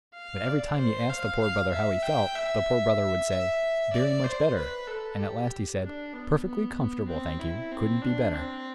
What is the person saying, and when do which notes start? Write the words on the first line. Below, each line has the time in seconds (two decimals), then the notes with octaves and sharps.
But every time he asked the Poor Brother how he felt, the Poor Brother would say, "Very much better"; and at last he said, "Perfectly comfortable, thank you; couldn't be better."
0.14 F5
0.47 D5
0.77 C5
1.09 F5
1.41 F5
1.72 E5
2.03 G5
2.35 E5
3.29 E5
3.93 D5
4.24 C5
4.56 B4
4.87 A4
5.20 G4
5.82 D4
6.13 B3
6.45 B3
6.77 B3
7.08 C4
7.39 E4
7.72 C4
8.02 D4
8.34 C4